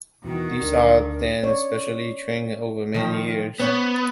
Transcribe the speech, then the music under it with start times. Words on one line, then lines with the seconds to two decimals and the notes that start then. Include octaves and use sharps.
These are then specially trained over many years.
0.24 E2 B2 D#3 E3 F#4
0.61 D2 D4 A#4
1.43 C#5 D5
2.94 D#3 F3
3.60 B3 C5 C#5